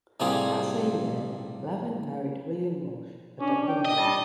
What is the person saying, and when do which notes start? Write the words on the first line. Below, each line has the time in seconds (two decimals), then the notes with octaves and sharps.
That same year, Lavin married William Walsh, a Dublin lawyer.
0.20 A2 C3 G3 A#3 F4 G#4
3.41 C#4 D4
3.68 G5
3.85 D#5
3.98 G3 A5